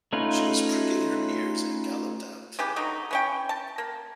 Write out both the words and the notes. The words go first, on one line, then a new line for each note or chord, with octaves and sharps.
She was pricking her ears and galloped out.
A3 C#4 D#4 F4 B4
C#3 E3 G4
D3 F#3 D#4
E3 C#4 G5
A5
A#3